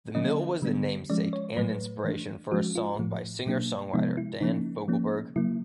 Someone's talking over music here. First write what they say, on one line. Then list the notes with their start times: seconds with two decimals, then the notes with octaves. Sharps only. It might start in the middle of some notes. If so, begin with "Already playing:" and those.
The mill was the namesake and inspiration for a song by singer-songwriter Dan Fogelberg.
0.15 D3 F#3 A#3 C#4 D#5
0.62 D3 G3 B3 D4
1.10 F3 G#3 C#4 D5
1.33 C#5
1.57 A2 F#3 A3 B4
2.04 E3 A3 D4
2.51 F3 G#3 C#4 F#4
2.75 F4
2.99 A2 F3 A3
3.46 B2 F#3 A#3 D4
3.93 C3 F3 G#3 B3 D#4
4.17 E4
4.41 C#3 F3 A#3 C#4 D#4
4.88 F3 A#3 C#4
5.36 C#3 F#3 A#3 E4